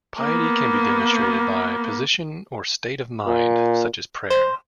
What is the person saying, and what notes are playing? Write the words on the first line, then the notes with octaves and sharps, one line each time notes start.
Piety can be demonstrated by position or state of mind, such as prayer.
A#3 B3
A#2
C5